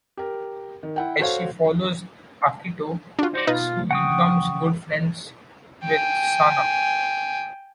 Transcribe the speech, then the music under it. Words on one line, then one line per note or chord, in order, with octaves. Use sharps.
As she follows Akito, Shuri becomes good friends with Sana.
G4 A#4
D#3
E4 F#5 G5
F#4 A4 C5 C#5 F5
D4 F4 F#4
D#4 F#4 C5 D5
B2 D#4 F4 B4 D#5
C#3 F#5 G5 C#6 D#6
G5 G#5